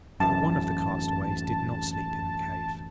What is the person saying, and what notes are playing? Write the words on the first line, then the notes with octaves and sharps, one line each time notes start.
But one of the castaways did not sleep in the cave.
A1 F#2 A5